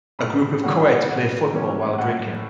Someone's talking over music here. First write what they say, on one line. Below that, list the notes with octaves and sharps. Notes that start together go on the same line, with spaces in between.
A group of coeds play football while drinking.
A2 B5
B5
E3 G3 A#3 C#4 F#5
F#5
A2 F#5
E3 G3 A#3 C#4
A2 F#5